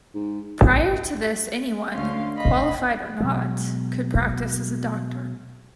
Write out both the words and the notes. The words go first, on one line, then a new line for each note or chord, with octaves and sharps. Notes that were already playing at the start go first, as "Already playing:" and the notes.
Prior to this anyone, qualified or not, could practice as a doctor.
G#2
D2 D3 C#4 F5 C6
D#5 F5 B5
B2 F#3 G#3